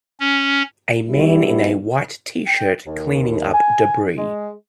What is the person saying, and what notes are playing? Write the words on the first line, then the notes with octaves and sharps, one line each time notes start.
A man in a white tshirt cleaning up debris.
C#4
B1 G2 G3 E4
G5
D#2
G#5
G#3